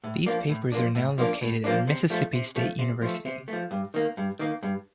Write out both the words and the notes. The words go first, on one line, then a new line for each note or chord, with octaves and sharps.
These papers are now located at Mississippi State University.
A2
F3 A#3 D4
A2
F3 A#3 D4
A2
F3 A#3 D4
A2
F3 A#3 D4
C3
F3 A3
C3
F3 A3
C3
F3 A3
C3
F3 A3
G2
D#3 A#3
G2
D#3 A#3
G2